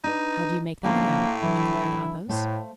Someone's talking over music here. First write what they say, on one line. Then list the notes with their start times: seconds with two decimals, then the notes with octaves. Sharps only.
"How do you make that out?" inquired Athos.
0.04 D4 D#4 B4
0.84 A2 D3 F3 A#3 C#4
1.42 D3 E3 F#3 E4
2.29 A2 A3 C5 F5